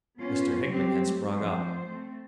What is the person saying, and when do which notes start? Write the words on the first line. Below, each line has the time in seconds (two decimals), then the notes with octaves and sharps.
Mr. Hickman had sprung up.
0.18 B3 C#4 F4
0.66 F#3 G3 C4 G4
1.06 A3
1.38 F3 C4 C5
1.88 A3 C4